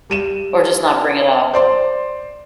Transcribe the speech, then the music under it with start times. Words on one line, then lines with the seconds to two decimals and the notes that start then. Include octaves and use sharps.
Or, just not bring it up.
0.10 G3 D#7 E7
1.53 C5 D5 C6